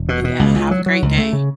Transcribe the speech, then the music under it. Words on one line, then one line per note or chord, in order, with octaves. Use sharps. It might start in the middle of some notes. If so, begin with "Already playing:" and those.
Yeah, have a great day.
Already playing: E1
B2
B2
C#2
C#2
F#3
F#3
C#2
A3
C#3